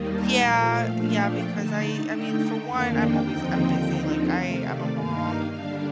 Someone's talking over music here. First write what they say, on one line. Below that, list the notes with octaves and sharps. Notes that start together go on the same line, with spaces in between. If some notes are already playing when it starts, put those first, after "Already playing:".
Yeah. Yeah, because I I mean, for one, I'm always I'm busy. Like, I I'm a mom,
Already playing: D#2 D#3 G3 A#3 D#4
A5
A#2 F3 A3 G5
F5
A#2 F3 A3 D4 F5
G5
D3 A3 D#4 A5
D3 A3 D#4 G5
F2 D#3 A#3 D4 F5
G5
D#2 D3 F3 C4 D#4
D#2 D3 F3 C4 D#4
C3 D#3 A3 F5
D5
G2 D#3 A#3 D#4 F5
D3 G3 D4 F5